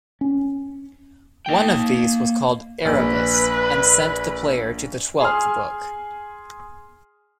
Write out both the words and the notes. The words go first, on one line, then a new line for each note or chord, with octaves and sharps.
One of these was called "Erebus" and sent the player to the twelfth book.
C#4
A#3 G5
A#1 B4
G#4 G#5 C6 F6